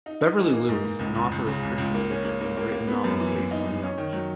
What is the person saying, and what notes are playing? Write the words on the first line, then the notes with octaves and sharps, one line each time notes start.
Beverly Lewis, an author of Christian fiction, has written novels based on the Amish.
D#4
D#4
E3
A#3
G#2
G#2
C#2
C#2
C#2
C#3
C#2
C#2
A#3
C#4
A#3
A#3
A#3
A#3
B3
F#2
E3
F#2
D#4
D#4
C#4
D#3
F#3